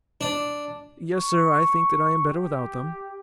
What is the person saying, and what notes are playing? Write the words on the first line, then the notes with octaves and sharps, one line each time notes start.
"Yes, sir; I think that I am better without them."
D4
C#6
G4